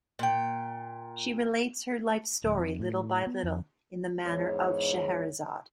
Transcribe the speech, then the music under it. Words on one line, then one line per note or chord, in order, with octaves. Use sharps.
She relates her life story little by little in the manner of Scheherazade.
A#2 G5
D1
F2
A2
B3
F2
E2 G#2 C#5